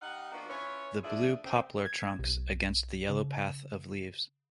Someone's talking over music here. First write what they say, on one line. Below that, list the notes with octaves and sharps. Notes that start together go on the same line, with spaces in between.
The blue poplar trunks against the yellow path of leaves.
G3 D#4 F5 F#5
F3 A#3 B3 D4 F#4
C#4 E4 F4 B4 C#5
D2 F3 D4 G#4 D5 E5
C#3 C4
G#6
B1
C#3